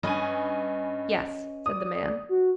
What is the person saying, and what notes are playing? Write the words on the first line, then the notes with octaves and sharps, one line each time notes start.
"Yes," said the man.
G2 C#4 B4 D#5 G#5
D5 D#6
F#4